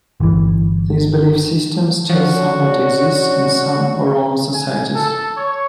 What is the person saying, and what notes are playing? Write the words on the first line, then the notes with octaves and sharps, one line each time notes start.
This belief system still somewhat exists in some Oromo societies.
G1 E3
F3 C#4 D4 F#4 C#5
G#5
A4
C#5